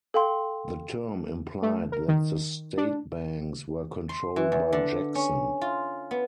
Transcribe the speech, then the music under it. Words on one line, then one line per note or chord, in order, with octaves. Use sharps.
The term implied that the state banks were controlled by Jackson.
A4 F5 G5 C6
A3
A#4
D#3
D4
C6
E3
E2
D3
C#4
F4
B3